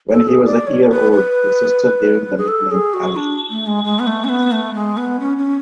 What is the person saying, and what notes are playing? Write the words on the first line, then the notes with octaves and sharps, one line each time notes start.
When he was a year old, his sister gave him the nickname Avi.
A4
G#4
D5
C#5
B4
B4
G#4
A4
G#4
F#4
D4
A3
G#3
G#3
B3
A3
C#4
B3
A3
G#3
B3
C#4
C#4